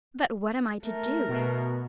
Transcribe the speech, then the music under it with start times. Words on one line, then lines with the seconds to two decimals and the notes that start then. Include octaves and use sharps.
"But what am I to do?"
0.83 A3 A#4
1.29 B2